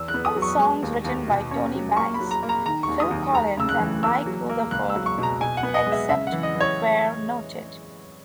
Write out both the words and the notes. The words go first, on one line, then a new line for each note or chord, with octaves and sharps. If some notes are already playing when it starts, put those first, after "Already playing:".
All songs written by Tony Banks, Phil Collins, and Mike Rutherford, except where noted.
Already playing: E2 E6
F#6
B3
D#6
F#3
C#6
G#3
D#2
D#2
B2
C#4
F#3
A#3 C#6
B5
F#3
A#5
A#3
A#5
D#3 A#5
C#6
D#2
D#6
D#2
D#2 A#5
C#3 E6
F#6
E3
A#3 E6
F#3
A#3
C#2 F#6
E6
F#3
C#6
B2 A#5
B2 G#5
F#5
B3
D#5
G#3
E5
C#3 E5
F#5
E3
D#5
E3
C#5